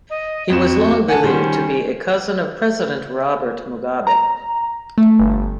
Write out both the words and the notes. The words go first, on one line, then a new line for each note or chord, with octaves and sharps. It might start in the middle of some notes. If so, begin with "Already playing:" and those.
He was long believed to be a cousin of President Robert Mugabe.
D#5
F2 F#4 E7
F#5 G#5 A5
D#3 G3 C#4 C5
A#5
A3
G1